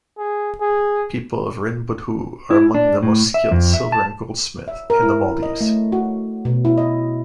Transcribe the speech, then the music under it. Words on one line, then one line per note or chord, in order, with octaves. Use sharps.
People of Rinbudhoo are among the most skilled silver and goldsmiths in the Maldives.
G#4
G#4
E4
D4
A2
E5
F2
E5
A5
E5
A#4
E4
D#5
A3
F#4
B2
E4
D#5